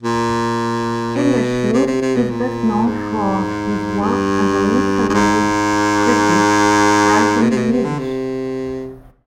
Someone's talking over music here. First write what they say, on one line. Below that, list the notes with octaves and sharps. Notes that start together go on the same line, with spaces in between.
Elyashev is best known for his work as a literary critic, writing in Yiddish.
A#2
B2
C3
C3
C3
B2
A#2
G#2
G2
G2
G#2
B2
C3
B2
C3
D3
C3